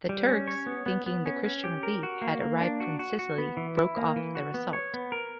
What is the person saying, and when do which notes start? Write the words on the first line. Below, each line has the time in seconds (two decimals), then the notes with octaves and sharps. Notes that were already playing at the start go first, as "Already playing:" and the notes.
The Turks, thinking the Christian relief had arrived from Sicily, broke off their assault.
0.09 G3
0.29 C#4
0.48 C#5
0.66 B3
0.86 B3
1.06 B3
1.26 C#4
1.44 C#4
1.64 G4
1.83 A#4
2.03 F#4
2.22 A#3
2.41 A#3
2.61 D4
2.80 F#4
2.99 F#4
3.19 F#4
3.38 B3
3.57 E3
3.77 E4
3.97 A#3
4.16 E3
4.35 F#4
4.54 B3
4.73 C#5
4.94 B3
5.12 A#4